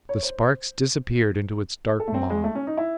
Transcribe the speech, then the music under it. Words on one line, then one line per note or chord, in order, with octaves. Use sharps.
The sparks disappeared into its dark maw.
C#5
C5
A4
A3
C4
G#3
A3
C#4
D#4
E4